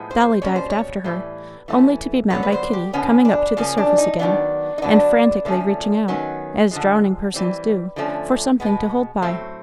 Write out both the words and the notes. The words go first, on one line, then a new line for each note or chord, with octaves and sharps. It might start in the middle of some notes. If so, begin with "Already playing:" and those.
Dolly dived after her, only to be met by Kitty coming up to the surface again, and frantically reaching out, as drowning persons do, for something to hold by.
Already playing: A2 F3 G#3 B3
C5
B2 G3 A#3 C#4 C#5
C5
C#5
A2 E3 G3
E3 A3 C#4
D3 F#3 B3 C#5
B4
C5
G4
D3 F3 G#3 B3 C#4
D4
C#3 F3 A#3 C#4
D4
D#4
D#3 F#3 B3 D4
D#4
D3 F#3 B3 D4
D3 F3 A3 C#4
D#3 F#3 B3 C#4
D3 F3 G#3
E3 G3 C4
D3 F3 A3 C#4
B2 G#3 B3
A2 F#3 A3 C4